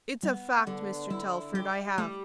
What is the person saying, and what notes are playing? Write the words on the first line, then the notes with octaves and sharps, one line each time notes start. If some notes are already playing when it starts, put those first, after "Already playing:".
It's a fact, Mr. Telford--I have.
G3 B3
D3 G3
G3 E4
G3 G4
G3 A3